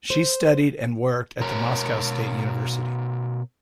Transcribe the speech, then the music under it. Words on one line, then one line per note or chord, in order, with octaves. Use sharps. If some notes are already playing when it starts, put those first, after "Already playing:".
She studied and worked at the Moscow State University.
C5
B2 A#4 C#5